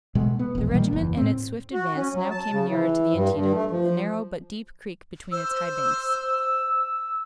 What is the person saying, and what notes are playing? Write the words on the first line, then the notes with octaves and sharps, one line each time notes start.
The regiment in its swift advance now came nearer to the Antietam, the narrow but deep creek between its high banks.
B2 G#3 A3
B3
E1 A#1
A#2 D#3 G3 A#3
F#1 E2
A2 C4
F#4
C#4
F#3
A5
C#3
E3
G2
G2
A3
F3
C5 E6